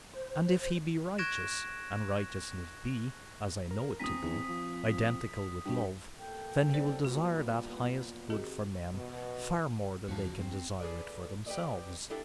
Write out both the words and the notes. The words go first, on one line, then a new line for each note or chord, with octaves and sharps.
'And if He be righteous, and righteousness be--as I know it to be--identical with love, then He will desire that highest good for men far more than they can desire it for themselves....
C5
C#6 F#6 G#6 A#6 D7 E7
A#4
E1 C4 G#5 A#5 D#6 B6
E2
F3
G2 G4
A#3 G4 A4 G5
B1 B4 C5 D5
A#2 D3 E3 G3 B3 F#4
C3 D#3 F#4 G#4 D#5
B2
E2 F3 C#4 F#4 A5
C4
G#4 A4 B4 D5
G4 B4 D5 D#5
B3 D4 E4 G4 A4